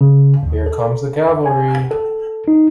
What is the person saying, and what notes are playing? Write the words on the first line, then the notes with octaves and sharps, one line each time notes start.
Here comes the cavalry.
C#3
D#2
A4
G#5
A4
D#4